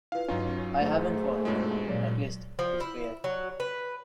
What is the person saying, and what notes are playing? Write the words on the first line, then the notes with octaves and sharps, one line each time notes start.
I haven't one — at least to spare.
E4 F4 B4 F5
G2 F#3 C#4 D#4 F4 D#5
G#2 A3
G2 B2 G#3 F4 A4 C#5
A#2 F#3 C#5 D5
F3
E4
F#3
B4